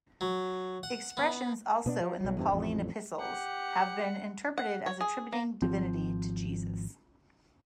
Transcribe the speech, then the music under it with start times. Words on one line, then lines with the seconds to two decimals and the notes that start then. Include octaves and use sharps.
Expressions also in the Pauline epistles have been interpreted as attributing divinity to Jesus.
0.21 F#3
0.83 F#5
1.17 B3
1.86 B2 B3 D4
2.01 F3
2.21 B1 F#3
2.37 E2 G2 C3
2.51 A1 F2
3.20 G4 F#5
4.58 F#5
4.86 C#5
5.01 G#4
5.33 A#3
5.62 G#1 F3 C4